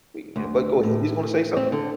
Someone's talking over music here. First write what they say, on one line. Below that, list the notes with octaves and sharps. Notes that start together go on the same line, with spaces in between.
We you know but go ahead, you was gonna say something?
D2
A2
C4
D3